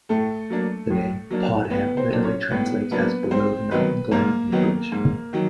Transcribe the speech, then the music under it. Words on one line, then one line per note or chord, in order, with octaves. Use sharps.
The name Podhale literally translates as "below the mountain glen" in English.
A2 A3 A4
F#3 A#3 D4
A2
F#3 A#3 D4
A2 B3 B4
C4 C5
F#3 A#3 D4
C#4 C#5
A2 B3 B4
F#3 A#3 B3 D4 B4
G#2 C4 C5
D#3 F#3 B3 D#4 B4
G#2 A#3 A#4
D#3 F#3 B3 D#4
G#2
D#3 F#3